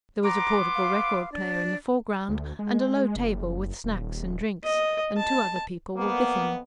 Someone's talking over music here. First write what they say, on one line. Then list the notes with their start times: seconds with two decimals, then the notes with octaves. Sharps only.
There was a portable record player in the foreground and a low table with snacks and drinks, and two other people were with him.
0.24 B3 A#5 C6 D6
0.75 F5
1.32 D4
2.29 D2
2.59 G#3
3.16 F#1
3.84 D#1
4.63 D#5
5.17 A5
5.97 F2 A#3 B3